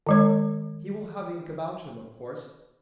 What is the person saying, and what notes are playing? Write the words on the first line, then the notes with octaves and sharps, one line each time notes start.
He will have ink about him, of course.
D#3 G#3 C#5